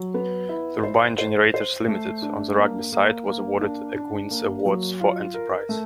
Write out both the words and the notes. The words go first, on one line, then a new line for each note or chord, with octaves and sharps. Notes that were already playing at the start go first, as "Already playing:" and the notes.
Turbine Generators Limited, on the Rugby site, was awarded a Queen's Awards for Enterprise.
Already playing: F#3
B3
E4
C5
C5
C5
A3
D4
A#3
A#3
A#3
D4
D4
A#3
F#3
F4
A#4
A3